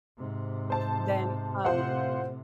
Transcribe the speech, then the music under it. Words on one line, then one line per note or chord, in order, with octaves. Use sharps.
then, um,
G#2 C3
C5 A5
A2 C3 F4 C5 F#5